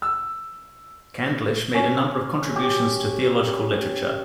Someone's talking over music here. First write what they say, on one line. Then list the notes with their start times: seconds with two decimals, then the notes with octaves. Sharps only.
Candlish made a number of contributions to theological literature.
0.02 E6
1.74 C#4
2.56 G4